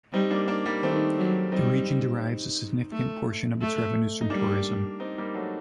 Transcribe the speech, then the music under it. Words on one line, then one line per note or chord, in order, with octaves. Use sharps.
The region derives a significant portion of its revenues from tourism.
G3 C4 D#4
A#3 D4
A#3 D4
G3 A#3
D#3 A3 C4
F#3
G3 C4 D#4
A3
A3
D#4
G3 A#3 D4
C4 D#4
G3 A#3
F#3 A3